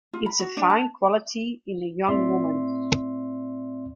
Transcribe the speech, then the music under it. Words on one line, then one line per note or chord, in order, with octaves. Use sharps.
It is a fine quality in a young woman.
F4
B5
F#4
D4
A5
A2 C4 D5 E5 C6